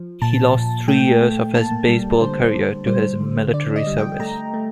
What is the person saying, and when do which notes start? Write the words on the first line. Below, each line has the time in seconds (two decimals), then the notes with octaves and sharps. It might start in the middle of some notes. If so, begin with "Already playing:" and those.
He lost three years of his baseball career to his military service.
Already playing: F3
0.22 A#2 A5
0.55 A#2
0.88 A3 G5
1.21 A3
1.54 A#3 A5
1.88 G3
2.20 D3 C5
2.54 D3
2.87 G3 C5
3.20 D3
3.53 D3 D5
3.76 D#5
3.87 G3
3.98 G5
4.20 A3 A#5
4.54 A3